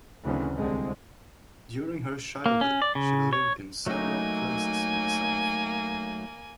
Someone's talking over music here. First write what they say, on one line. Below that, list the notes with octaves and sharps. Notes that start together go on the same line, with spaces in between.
During her childhood, she lived in several places in the South.
D2 C#3 E3 F#3 C4 C#4
C2 D3 G#3 C4
A#3
C#4
D5
C#3
C#5
F#3 A3 A#3 D#4 G#5